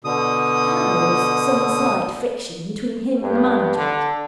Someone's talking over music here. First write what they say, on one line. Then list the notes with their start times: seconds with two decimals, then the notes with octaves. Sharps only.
'There was some slight friction between him and the management.
0.04 B2 D3 D#6
3.22 G2
3.76 D3